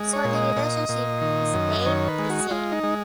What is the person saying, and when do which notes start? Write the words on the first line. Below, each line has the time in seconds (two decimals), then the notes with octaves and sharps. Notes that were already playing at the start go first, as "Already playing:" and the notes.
So the relationship stayed the same.
Already playing: G#3
0.13 C#5
0.24 A#2
0.35 D#5
0.56 A#2
0.89 A#2
1.21 D#3
1.53 F#2
1.86 D#3 C#5
2.08 B4
2.19 G#3
2.30 F#4
2.51 G#3 F4
2.72 D#4
2.83 G#3